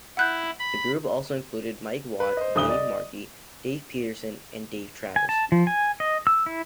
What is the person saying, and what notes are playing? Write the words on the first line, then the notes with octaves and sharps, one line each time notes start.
The group also included Mike Watt, Dave Markey, Dave Peterson, and Dave Travis.
E4 F#5 F#6 G6
B5
B4
C5 D#5
D#1 D2 D#6 G7
D5 D#5
G#5
A5
F3
G#5
D#5
E6
E4